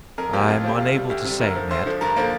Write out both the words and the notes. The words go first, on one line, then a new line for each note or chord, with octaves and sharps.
"I'm unable to say, Ned."
F2 A#4
F3 A#3 G4
F2 F4
F3 A#3 G4
D2 F4
C3 G3
D2 G4
C3 G3
D2 A#4
D3 F3
D2 C5
D3 F3
G2 A#4
D3 F3 A#3